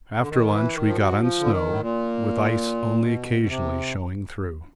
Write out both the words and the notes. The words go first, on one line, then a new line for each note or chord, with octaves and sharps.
After lunch we got on snow, with ice only occasionally showing through.
D3
D#3
E3
D#3
F3
F#3
F3
D3
D#3
A2
A#2
B2
C3